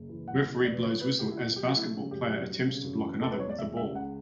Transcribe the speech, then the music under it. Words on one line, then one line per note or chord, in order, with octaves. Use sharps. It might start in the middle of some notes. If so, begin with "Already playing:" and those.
Referee blows whistle as basketball player attempts to block another with the ball.
Already playing: F#1
E3
E1 F#5
E2
E1 D5
B4
D3 C#5
A3 B4
D3 G4
E4
E2 F#4
F#3 G4
F#4
A3 E4
C#3
F#2 G4
F#3
G3
C#3
F#2
E3
E1 A4
B4
E2 C#5
D5
E1 E5
C#3 E5
C#2 F#5